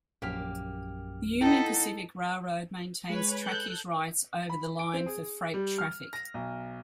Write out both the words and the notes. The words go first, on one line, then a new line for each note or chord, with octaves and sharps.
The Union Pacific Railroad maintains trackage rights over the line for freight traffic.
A#1 F#2 A#3 G4 F6
B3 D#4 E4 A4 G5
G#3 B4 C#5
A4 F#6 G6
B5
D7
C4
G#4
G3
F6
A#6
B1